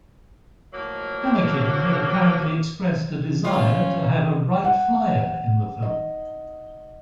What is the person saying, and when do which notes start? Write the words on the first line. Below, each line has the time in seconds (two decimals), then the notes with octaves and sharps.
Annakin had apparently expressed a desire to have a Wright Flyer in the film.
0.73 A2 F3 F#3 A#3
3.44 C#4 F4
4.64 F#5
5.83 D#5